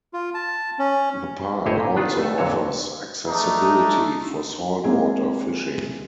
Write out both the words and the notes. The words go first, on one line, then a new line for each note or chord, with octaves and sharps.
The park also offers accessibility for salt water fishing.
F4
A5
C#4
G1 A2 E4 C5 C#5 D#5
A#2
D#3 B3 D4 F4 A4 B4
A3 A4
F2 A#2 D3 F#3 A4 C#5
A3 D4 D#4
G#3 A#3 C4 E4 G#4